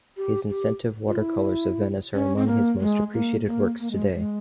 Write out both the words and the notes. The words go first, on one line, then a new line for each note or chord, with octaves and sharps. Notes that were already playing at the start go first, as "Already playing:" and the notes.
His inventive watercolors of Venice are among his most appreciated works today.
G4
G4
F4
E4
C#4
C4
A#3
G#3
A#3
A#3
A#3
G#3
G#3